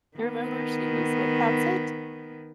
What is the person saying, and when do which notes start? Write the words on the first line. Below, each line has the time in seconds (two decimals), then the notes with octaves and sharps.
I remember she was like, "That's it.
0.17 D#3 B3